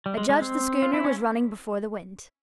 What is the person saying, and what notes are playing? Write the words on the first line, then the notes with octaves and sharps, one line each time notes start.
I judged the schooner was running before the wind.
G3
G#3
G#3
C4
F4
E4
C#4